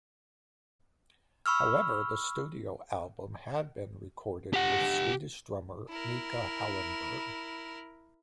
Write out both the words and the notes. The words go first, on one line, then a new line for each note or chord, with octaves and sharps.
However, the studio album had been recorded with Swedish drummer Nicka Hellenberg.
B5 C#6 E6 F6
G4 F#5
E4 A#4